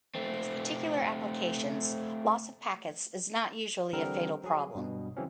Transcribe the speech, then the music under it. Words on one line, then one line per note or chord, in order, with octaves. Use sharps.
In these particular applications, loss of packets is not usually a fatal problem.
A3 C4
D3 E3 G3 C4 A#4
F#3 G#4
G2 B2
C#3 E3 F#3 C4 C#4